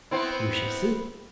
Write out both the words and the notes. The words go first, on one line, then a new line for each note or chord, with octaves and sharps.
"You shall see."
B3 C4 E4